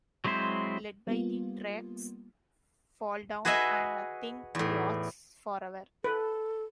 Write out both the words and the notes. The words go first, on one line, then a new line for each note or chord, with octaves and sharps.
Led by the tracks 'Fall Down' and 'Nothing Lasts Forever'.
F#3 G#3 C4 E4 C5
G3 A#3 B3 F4
F#4 G#4 B4 D#5 E5 G#5
E2 A2
A4 B4